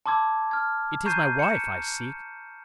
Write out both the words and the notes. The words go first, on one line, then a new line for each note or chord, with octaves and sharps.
It is my wife I seek.
A5 C6 D6 E6 G#6
F6 G#6
A#5 C#6 G6 G#6 C7 D#7
C#7 E7